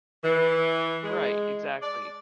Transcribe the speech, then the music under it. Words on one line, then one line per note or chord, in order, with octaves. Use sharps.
right, exactly.
E3
G#3
D5